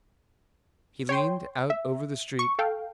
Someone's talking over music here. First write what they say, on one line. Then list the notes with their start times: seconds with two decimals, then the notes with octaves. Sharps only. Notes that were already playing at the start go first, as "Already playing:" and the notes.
He leaned out over the street.
1.09 C#5 G5 C6
1.70 E5
2.39 C#6
2.59 A4 F5 G5